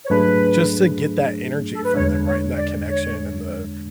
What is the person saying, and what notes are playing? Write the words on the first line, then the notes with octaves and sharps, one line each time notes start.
just to get that energy from them, right, and that connection and the
C#5
G#2 F#3 A3 D4 G#4 B4
A4
B4
E2 D3 G#3 D4 C#5
C#5
D5
C#5